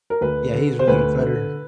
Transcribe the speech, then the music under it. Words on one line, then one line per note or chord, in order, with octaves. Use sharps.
Yeah, he's a really good fighter.
A#4
D2 B4
D3
C5
D2 B4
D3